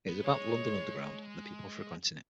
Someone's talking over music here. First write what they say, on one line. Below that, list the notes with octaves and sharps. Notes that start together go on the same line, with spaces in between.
It is about the London Underground and the people frequenting it.
B3
G#3 C#5